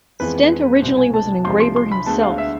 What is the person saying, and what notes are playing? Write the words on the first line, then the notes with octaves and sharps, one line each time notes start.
Stent originally was an engraver himself.
F2 E3 G#3 B3 B4
C2 B2 B3 C5
G#5
A5
C2 C3 F3 C6
C6
C6
B5
D2 D3 G#3 B3 A5
F5
E5